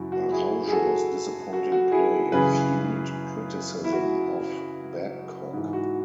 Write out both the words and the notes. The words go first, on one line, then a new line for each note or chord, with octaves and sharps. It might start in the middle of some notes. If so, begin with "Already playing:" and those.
Araujo's disappointing play fuelled criticism of Babcock.
Already playing: F#2 C#3 E3 E4 F#4
F#4
E4 G#4
G#4
F#4 A4
F#4
F#4
E4 G#4
F#2 C#3 E3 G#4 B4
E4
F#4
G#2 E3
F#4